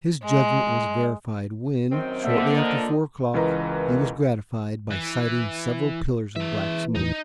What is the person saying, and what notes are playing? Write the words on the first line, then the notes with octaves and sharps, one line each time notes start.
His judgment was verified, when, shortly after four o'clock he was gratified by sighting several pillars of black smoke.
G#3
F#2 D#3 C4
D3 A#3 E5
F3 A#4 D#5
C#2 E3 A#4 B4 D#5 A#5
E3
E3 G#3 E5
E2 A2 E3 D#4